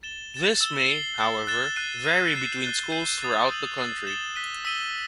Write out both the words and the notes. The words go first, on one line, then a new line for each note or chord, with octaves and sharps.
This may, however, vary between schools throughout the country.
A6 E7 G7
A6 E7 G7
E6 A6 E7 G7
A6 C7 E7 G7
A6 E7 G7
F#6 A6 E7 G7
F#6 C7 D#7 G7
G6 C7 D#7
F#6 A6 C7 E7
F#6 A6 D#7 G7
G6 C7 D#7 G7
D#6 A6 D#7
E6 G6 D#7 F#7
E6 A6 C7 D#7 F#7
A6 C7 E7 G7
F#6 B6 D#7 G7
E6 B6 D#7 G7